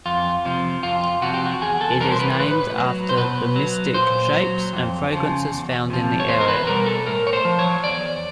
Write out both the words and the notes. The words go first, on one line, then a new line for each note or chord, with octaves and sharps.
It is named after the mystic shapes and fragrances found in the area.
F2 F4
C3 F3
F2 F4
C3 F3 F#4
G4
F#4
E2 G#4
A4
C3 E3 G3 A#4
C5
B4
A2 B4
F#3
C5
B2 B4
F#3
A#2 C5
F#3
F2
C#3 F3
E2
C3 F3
C#5
E2 C5
A#4
B4
B2 G3 A#4
A4
A2 A#4
C#5
C5
F3
C#5
E2 D5